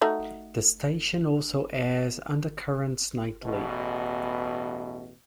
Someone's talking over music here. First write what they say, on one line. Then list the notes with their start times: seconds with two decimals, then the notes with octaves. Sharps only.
The station also airs "UnderCurrents" nightly.
0.01 A3 D#4 F#4
3.44 A1 E2 B2